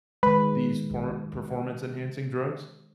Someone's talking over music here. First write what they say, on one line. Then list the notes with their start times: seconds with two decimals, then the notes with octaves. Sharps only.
these por performance-enhancing drugs?
0.23 D#3 G#3 B4